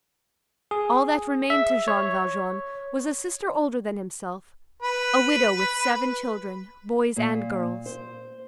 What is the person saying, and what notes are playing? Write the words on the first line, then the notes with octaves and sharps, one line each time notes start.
All that remained to Jean Valjean was a sister older than himself,--a widow with seven children, boys and girls.
G#4
E5
C#5
B4
A#2
C5